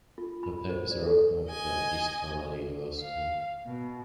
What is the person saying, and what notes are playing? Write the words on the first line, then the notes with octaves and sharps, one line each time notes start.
Her papers are archived at East Carolina University.
F4
B5
C5
D5
A4
D#5 G#5
F5
B2